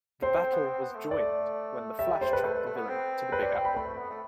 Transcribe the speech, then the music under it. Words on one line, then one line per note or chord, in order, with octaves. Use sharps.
The battle was joined when the Flash tracked the villain to the Big Apple.
C4 C5
C4
B3
C4
B3
A3
A3 D5
G3 E5
C5
B4
A3 B4
A3
A3
B3
C4
B4
D5
G5
B5
A3 B5
A3
B3
A3